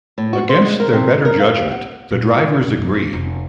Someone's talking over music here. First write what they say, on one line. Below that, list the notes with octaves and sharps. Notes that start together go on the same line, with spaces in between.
Against their better judgement, the drivers agree.
A2
F#4
C5
G#3
A#4
C3
D#4
A#4
F5
G4
F#5
A#2
B2
F#2
G#2
F1